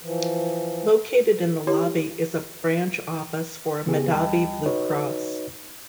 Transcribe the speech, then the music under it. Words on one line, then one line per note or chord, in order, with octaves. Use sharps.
Located in the lobby is a branch office for Medavie Blue Cross.
E3 F3
E4 G4 C#5
C#3 B3 G4 G#4
D#2 G3 D#5 G5 A5 B5
D#4 F#4 B4 C#5 D#5